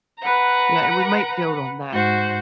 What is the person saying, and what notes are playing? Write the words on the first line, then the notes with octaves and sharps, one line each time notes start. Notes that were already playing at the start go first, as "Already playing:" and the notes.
you know, and we might build on that.
B4 F#5 A#5
G#2 F#4 C5